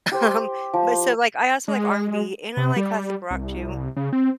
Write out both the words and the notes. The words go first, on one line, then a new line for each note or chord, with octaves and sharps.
Um, but so, like, I also like R&B, and I like classic rock too.
G4 C5
F3
G#3
C3
G3
C2
C#3
C4